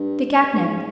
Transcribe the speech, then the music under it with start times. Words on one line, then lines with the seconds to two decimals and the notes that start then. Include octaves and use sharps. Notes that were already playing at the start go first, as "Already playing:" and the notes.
The Cat-nip.
Already playing: G2
0.53 G2
0.64 G#2